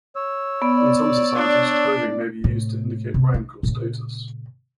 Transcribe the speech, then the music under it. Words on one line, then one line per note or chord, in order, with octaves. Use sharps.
In some societies, clothing may be used to indicate rank or status.
C#5 E6
B3 D5
D4
A2 C3
C3
D#4
A#2 C#3